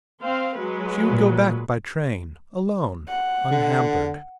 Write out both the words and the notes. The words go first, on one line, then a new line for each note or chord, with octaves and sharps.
She would go back by train, alone, unhampered.
C4 C5 F5
F#3 G#3 B4
A#2
F#5
D3